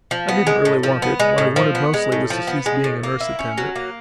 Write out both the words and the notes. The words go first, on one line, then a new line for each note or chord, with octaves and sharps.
I didn't really want it; what I wanted mostly was to cease being a nurse-attendant.
F3
B3
G#3
A2
F3
B3
G#3
A2
F3
B3
G#3
A2
F3
B3
G#3
A2
A#3
E4
C#4
F#3
A#3